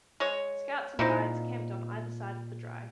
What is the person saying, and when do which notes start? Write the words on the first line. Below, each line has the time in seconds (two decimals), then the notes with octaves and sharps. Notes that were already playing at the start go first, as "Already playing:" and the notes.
Scouts and Guides camped on either side of the drive.
0.20 G#3 C#5
0.99 A#2 C4 D#4 E4